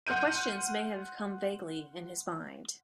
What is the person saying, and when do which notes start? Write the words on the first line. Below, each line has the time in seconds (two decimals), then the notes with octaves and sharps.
The questions may have come vaguely in his mind.
0.07 F#5 C6 F6 G6 D#7